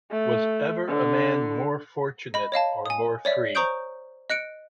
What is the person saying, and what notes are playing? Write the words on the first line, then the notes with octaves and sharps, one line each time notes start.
Was ever a man more fortunate or more free?
A3
D3
D#5 B5
C#5 D#5 F5 A5
G#5 D#6
C#5 D5 E5
C5 A#5 C#6 D#6 G6 D7
D#5 F#6 C#7 D7